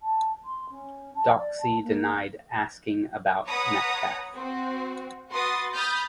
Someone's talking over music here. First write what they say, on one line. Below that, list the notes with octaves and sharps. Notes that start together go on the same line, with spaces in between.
Doxey denied asking about Metcalfe.
A5
C6
C#4
A5
D5
A5
A#3
B4 C#5 F#5 A#5 B5 D#6
C4 F#4
F#4 B4 C6 D#6 A6
B5 D#6 F6 G6 A6